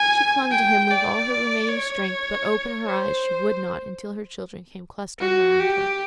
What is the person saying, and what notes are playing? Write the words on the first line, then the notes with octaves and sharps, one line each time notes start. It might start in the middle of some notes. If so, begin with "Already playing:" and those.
She clung to him with all her remaining strength, but open her eyes she would not until her children came clustering around her.
Already playing: G#5
G5
D5
C#5
C5
F#4
G4